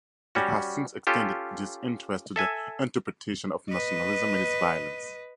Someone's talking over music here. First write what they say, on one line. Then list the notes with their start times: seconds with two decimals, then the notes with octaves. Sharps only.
He has since extended this interest to the interpretation of nationalism and its violence.
0.35 G3 C#4 F#4
1.07 C#4 F4 G4 A4
2.36 A4 E5 G#5
3.70 B4 D#5